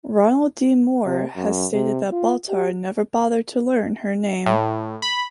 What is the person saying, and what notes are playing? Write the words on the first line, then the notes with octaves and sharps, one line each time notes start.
Ronald D. Moore has stated that Baltar never bothered to learn her name.
C3
F#2
C3
F4
G4
A2
B5